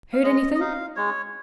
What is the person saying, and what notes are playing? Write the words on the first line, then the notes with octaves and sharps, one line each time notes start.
Heard anything?'
F5
G#3 D#5
D#5
D#4 F5
G#3 C#5